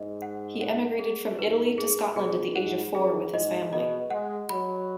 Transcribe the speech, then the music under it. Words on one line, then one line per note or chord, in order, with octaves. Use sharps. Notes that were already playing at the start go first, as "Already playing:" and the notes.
He emigrated from Italy to Scotland at the age of four with his family.
Already playing: G#2 D#5
F#5
F#5
G#4
G#2 B4
G#4
B2 G#4
G#2 F#5
F#2 G#4
G#2 D#5
B2 D#5
G#3 F#5
F#3 B5